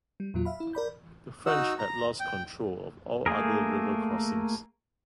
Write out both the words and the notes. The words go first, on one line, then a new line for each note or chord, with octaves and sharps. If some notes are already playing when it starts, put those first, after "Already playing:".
The French had lost control of all other river crossings.
G3
E2 A#2 F#3 F4
E5 F5 B5
E4
A#4 D5 B5 G6
D#4 F#4 F#5 E6
A#5
G5
A3 A#3 G#4 A#4